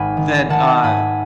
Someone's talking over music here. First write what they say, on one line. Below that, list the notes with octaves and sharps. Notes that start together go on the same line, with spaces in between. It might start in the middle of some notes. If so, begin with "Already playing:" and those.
that, uh,
Already playing: G#1 F#5 G#5 B5
D#3
D#3 F#5 A5
G#2 G#5 B5